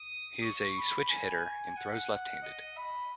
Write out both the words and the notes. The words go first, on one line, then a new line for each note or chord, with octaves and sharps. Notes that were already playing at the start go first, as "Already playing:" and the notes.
He is a switch hitter and throws left-handed.
Already playing: D#6
C#6
B5
G#5
F#5
D#5
B5